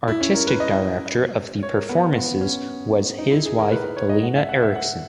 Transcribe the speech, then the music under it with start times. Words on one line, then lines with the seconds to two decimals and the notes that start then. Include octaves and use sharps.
Artistic Director of the performances was his wife Helena Eriksson.
0.08 E4
0.21 C#4
0.34 A#4
0.47 B4
0.60 D#5
1.63 C#5
1.77 A#4
1.89 B3
2.16 B3
2.41 C#4
3.18 D#4
3.32 E4
3.46 G#4
3.58 A#4
3.72 B4
3.84 B4
3.97 C#5
4.09 D#5
4.23 F#5
4.36 E5
4.49 F#5
4.62 E5
4.75 F#5